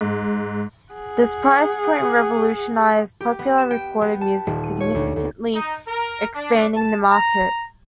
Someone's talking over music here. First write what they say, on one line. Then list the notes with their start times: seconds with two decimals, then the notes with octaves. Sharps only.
This price point revolutionized popular recorded music, significantly expanding the market.
0.01 G#2
0.93 G#4 F#5
3.21 G4
3.39 B3
3.58 E7
3.71 G5
4.01 B3
4.21 A5
4.47 D#1
4.64 D#7
4.80 C#5
4.95 D2
5.16 D2
5.54 D#4
5.86 A#4
6.35 D4
6.75 A5
7.10 A#5